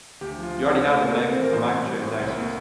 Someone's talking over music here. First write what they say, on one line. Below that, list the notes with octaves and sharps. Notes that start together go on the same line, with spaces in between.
you already have the meg the microtransactions,
D2 G4
F3
F4
F3
G4
C4
A3 A4
C4
A#3 A#4
C4
C4 C5
E3
A#4
A2 C4 C5
A2
G3
A2
C2
A#3